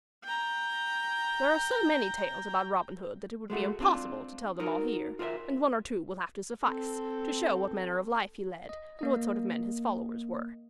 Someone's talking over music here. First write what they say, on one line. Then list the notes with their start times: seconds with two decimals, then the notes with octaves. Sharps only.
There are so many tales about Robin Hood that it would be impossible to tell them all here, and one or two will have to suffice, to show what manner of life he led and what sort of men his followers were.
0.25 G5 A#5
3.50 G#3 A3 F#4
3.80 C4 D4 F4
4.59 D#4 F#4 A#4
5.19 F4 A#4 C5 D5 E5
6.64 C4 A4
8.69 D#5
8.99 A#3 D#5